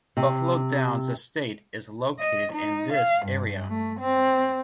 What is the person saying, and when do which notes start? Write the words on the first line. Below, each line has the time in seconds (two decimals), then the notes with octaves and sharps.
Buffalo Downs estate is located in this area.
0.17 C3
2.18 D#5
2.52 D#4
2.93 F5
3.25 G2
3.69 A3
4.00 C4